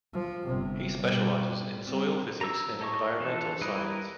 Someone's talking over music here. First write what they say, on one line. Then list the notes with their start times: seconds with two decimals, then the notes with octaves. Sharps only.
He specialises in soil physics and environmental science.
0.13 F3
0.44 G1 C3
1.02 B2 G3
1.84 G3 C4
2.41 A#5 E6
2.81 A4 C#5 D#5 C#6
3.20 E3 F3 D4 A4
3.61 G3 E4 A#4 B4 D#5